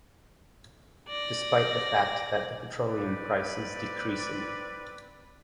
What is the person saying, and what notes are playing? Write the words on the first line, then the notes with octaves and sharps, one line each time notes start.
Despite the fact that the petroleum price is decreasing.
D5 A#6
C4 B4 D5